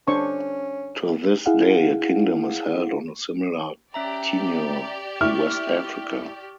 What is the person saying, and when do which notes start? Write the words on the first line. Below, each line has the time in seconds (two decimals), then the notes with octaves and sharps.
To this day a kingdom is held on a similar tenure in west Africa.
0.08 C#4 D4 C5 C#6
1.46 E4 G#4 F5 F#5
3.94 C#4 G4 D5 E5 A#5
5.21 E4 C#6 F6